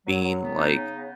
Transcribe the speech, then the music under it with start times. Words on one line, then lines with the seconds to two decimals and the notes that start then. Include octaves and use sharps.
being, like,
0.07 F#3
0.24 F#3
0.41 B3
0.58 D#4
0.75 C#3
0.92 B3